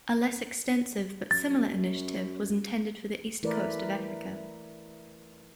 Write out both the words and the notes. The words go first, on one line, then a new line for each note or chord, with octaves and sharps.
A less extensive but similar initiative was intended for the east coast of Africa.
F#2 A6
E3 A3 E4 A#4 B4 D5